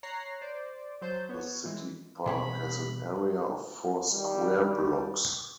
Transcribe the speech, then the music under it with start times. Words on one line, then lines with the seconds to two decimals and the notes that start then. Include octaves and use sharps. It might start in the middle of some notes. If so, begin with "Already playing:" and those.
The city park has an area of four square blocks.
0.03 C#5 A#5 F#6 A#6 C7
0.41 C5 D5
1.01 F#3 C5 A5 G6
1.29 B3 C#5
1.65 E3 G#3
2.26 B2 E3 G3 G#3 C4 C#4 B5
4.13 D#3 G3